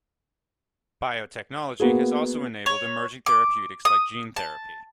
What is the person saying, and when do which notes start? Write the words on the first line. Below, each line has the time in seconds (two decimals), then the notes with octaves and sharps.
Biotechnology has also enabled emerging therapeutics like gene therapy.
1.80 A#3 B3 F#4 G#4
2.66 C#5
3.26 D6
3.85 D#6
4.36 A5